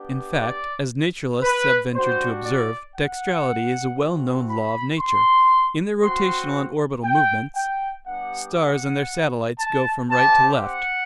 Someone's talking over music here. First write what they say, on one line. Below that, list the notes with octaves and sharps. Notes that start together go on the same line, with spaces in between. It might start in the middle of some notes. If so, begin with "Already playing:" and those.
In fact, as naturalists have ventured to observe, "dextrality" is a well-known law of nature. In their rotational and orbital movements, stars and their satellites go from right to left.
Already playing: B3 D4 G4
D5
B4
G3 D4 F#4 C5
D5
F#5
A3 C4 F#4
B5
C6
C4 F#4 C6
G5
G5
G3 B3 D4 G4 F#5
F#5
A5
C4 G4 A5
F#5